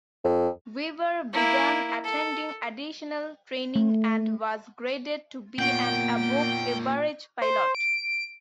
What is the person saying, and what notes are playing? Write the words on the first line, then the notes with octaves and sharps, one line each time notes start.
Weaver began attending additional training and was graded to be an above average pilot.
F2
A#3 E4
A4
A3
A#2 A#3 B3 C#5 F#5 G5 G6
C5
D7